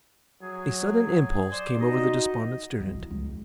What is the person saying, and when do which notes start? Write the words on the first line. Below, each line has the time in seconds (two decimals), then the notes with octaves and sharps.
A sudden impulse came over the despondent student.
0.42 F#3 G#4
1.52 C5 D5
1.81 D#4 F#4 D#5
2.80 C2
2.94 E4
3.11 C#2
3.28 G#3